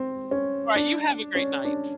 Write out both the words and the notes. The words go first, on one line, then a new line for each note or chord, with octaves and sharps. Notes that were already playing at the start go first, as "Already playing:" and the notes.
Alright, you have a great night.
Already playing: C4
C#4
D4
C#4
D4